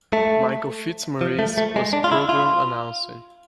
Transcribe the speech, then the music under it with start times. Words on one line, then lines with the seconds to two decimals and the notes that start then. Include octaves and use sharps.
Michael Fitzmaurice was the program's announcer.
0.13 A3
1.21 F3
1.39 A3
1.58 A3
1.76 G#3
1.93 D4
2.04 F4
2.12 E4
2.29 F4